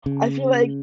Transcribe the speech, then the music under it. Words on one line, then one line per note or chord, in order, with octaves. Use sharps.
I feel like
C#3